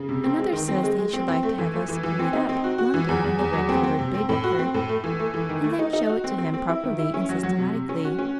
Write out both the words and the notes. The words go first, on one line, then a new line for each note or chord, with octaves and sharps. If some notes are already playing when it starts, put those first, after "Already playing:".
Another says that he should like to have us 'read up' London in the red-covered Baedeker, and then show it to him, properly and systematically.
Already playing: C#3
C3
C4
G#3
D#3
C4
G#3
G#3
C4
C4
A3
E3
A3
E3
E3
C4
D#4
C4
F#4
F#4
E3
E2
E2
E2
F#3
C4
C4
C3
C4
A2
F#4
C4
A2
A3
E3
A3
E3
D#3
A3
D#4
D#4
F#4
C4
C4
C4
E4
D#3
E4
C#4
F#3
F#3
C3
C3
C#4
F#4
C#4